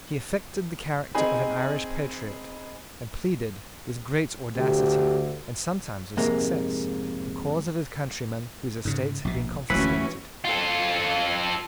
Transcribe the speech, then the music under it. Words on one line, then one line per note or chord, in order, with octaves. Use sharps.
He affected the character of an Irish patriot, and pleaded, with great audacity, and sometimes with success, the cause of his countrymen whose estates had been confiscated.
C4 D#4 G#4 D#5 G#5 B5
D2 G4
F2 G#2 C3 G#3 A#3
G#2 C#3
A#1 B2
D1 A#1 E3 A3 C#4 F#4 B5
F4 A4